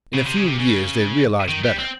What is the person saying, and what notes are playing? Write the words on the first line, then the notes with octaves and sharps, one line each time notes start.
In a few, years they realised better.
C#3
C3
C#3
C3
C#3
D#3
G3
C4